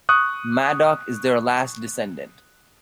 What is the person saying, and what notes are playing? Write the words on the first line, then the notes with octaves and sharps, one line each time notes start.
Madoc is their last descendant.
C#6 D#6 F#6